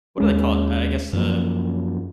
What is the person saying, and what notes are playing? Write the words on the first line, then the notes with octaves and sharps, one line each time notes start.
what do they call it- I I guess a
D#2 G#3 C#4
F#2 F3 A#3